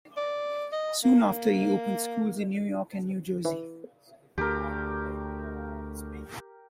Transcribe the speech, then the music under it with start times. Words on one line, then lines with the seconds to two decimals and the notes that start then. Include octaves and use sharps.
Soon after, he opened schools in New York and New Jersey.
0.17 D5
0.73 D#5
1.04 A#3
3.45 E3
4.38 D2 G4 A#4